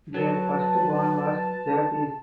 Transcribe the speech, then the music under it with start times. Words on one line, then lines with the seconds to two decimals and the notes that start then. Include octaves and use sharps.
Their firstborn was Jabez.
0.14 F#3 B4 A5